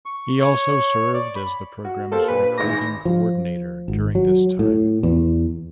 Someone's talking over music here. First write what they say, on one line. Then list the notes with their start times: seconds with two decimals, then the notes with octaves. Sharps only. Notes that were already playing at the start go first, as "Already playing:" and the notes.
He also served as the programs recruiting coordinator during this time.
0.06 C#6
0.40 C#5
1.14 D5
1.35 B5
1.85 F#4
2.12 A#3 G4 A4 C5
2.28 A#2 D4 B4
2.58 G#1 G#3 D6 A#6
2.78 B5
3.05 F3
3.88 G#1
4.15 F#3
4.59 A2
5.03 E2